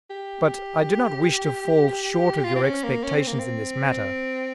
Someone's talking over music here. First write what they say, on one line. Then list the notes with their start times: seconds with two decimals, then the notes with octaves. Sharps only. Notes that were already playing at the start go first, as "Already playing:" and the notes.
But I do not wish to fall short of your expectations in this matter.
0.10 G4
2.44 F4
2.55 C4
2.64 C#4
2.84 A#3
3.04 C#4
3.15 C4
3.27 A#3
3.39 C4